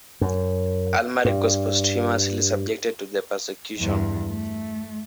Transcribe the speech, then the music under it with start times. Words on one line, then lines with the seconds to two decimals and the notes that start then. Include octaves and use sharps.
Almaric was posthumously subjected to the persecution.
0.21 F#2
1.25 G2
3.79 E2 G2
4.29 A3